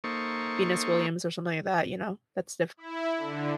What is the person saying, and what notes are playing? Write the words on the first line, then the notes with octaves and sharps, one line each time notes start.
Venus Williams or something like that. You know? That's diffi
A#3 D#4 A4 C5 C#6
E4
D3